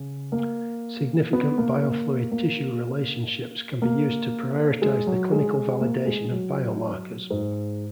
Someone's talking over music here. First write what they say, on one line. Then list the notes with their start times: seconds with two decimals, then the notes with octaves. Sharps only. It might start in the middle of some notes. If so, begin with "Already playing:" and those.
Significant biofluid-tissue relationships can be used to prioritize the clinical validation of biomarkers.
Already playing: C#3
0.32 A#3
1.33 B3
1.58 A#3
1.82 A#3
2.32 A#3
3.82 A#3
4.82 G#3
5.07 F#3
5.32 G#3
5.81 A#3
6.06 G#3
6.32 F#3
7.30 G#2